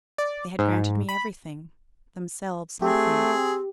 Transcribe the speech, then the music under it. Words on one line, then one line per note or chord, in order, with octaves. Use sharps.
They had granted me everything, themselves nothing.
D5
G#2
B5
A3 C4 G4 G#4